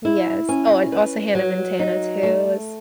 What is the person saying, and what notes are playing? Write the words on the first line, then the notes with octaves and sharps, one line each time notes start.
Yes, oh, and also Hannah Montana, too is
E4
C#4
B4
F#3
D#4
A3